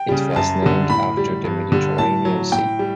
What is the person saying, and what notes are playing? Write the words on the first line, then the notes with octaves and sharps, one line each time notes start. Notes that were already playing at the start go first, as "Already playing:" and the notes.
It was named after the Mediterranean Sea.
Already playing: G5
C#3 G3
F#2 A5
D3 G3
A2 B5
G3
G2
D3 G3
A2 A5
F#3
A2 G5
G3